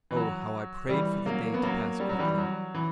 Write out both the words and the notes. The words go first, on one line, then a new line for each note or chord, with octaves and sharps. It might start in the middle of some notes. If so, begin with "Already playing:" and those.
Oh, how I prayed for the day to pass quickly!
E3
F#3
E3 G3
F#3 A#3
B3
F#3 A#3
G3
F#3
E3 G3
F#3
E3